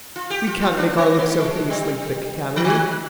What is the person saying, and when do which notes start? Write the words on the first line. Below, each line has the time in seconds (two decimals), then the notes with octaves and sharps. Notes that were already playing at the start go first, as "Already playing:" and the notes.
We can't make our lips so hideously thick, can we?
0.16 F4
0.30 G4
0.47 F4
0.61 F4
0.77 D4
0.98 C4
1.19 A#3
1.40 G#3
1.70 G3
2.56 F3
2.64 D#3